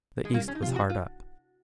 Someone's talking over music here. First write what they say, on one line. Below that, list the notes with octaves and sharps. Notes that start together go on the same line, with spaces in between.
The East was hard up.
G#3
C2 A#3
C#4
D#4
C3 F3 F4
F#4
F4